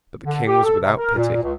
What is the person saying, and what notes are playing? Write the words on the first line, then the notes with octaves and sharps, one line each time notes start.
But the King was without pity.
D3
G4
A4
C3
A#4
A#2
C#2